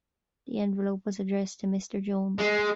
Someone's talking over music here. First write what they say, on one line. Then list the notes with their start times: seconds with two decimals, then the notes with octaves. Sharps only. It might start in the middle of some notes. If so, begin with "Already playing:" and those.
The envelope was addressed to Mr Jones.
2.38 G#3